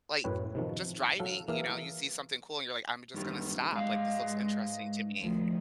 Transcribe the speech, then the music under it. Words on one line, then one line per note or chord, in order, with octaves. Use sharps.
like, just driving, you know, you see something cool and you're like, "I'm just gonna stop, like, this looks interesting to me."
F#2 A2 B4 C#5 G5
C3 D#3 F3
F#3 A4 F5 F#5
E3 A#3 G#4 A#4 E5 F5
F#2 D#3 G3
G#2 G#3 F5
D2 D#3 F3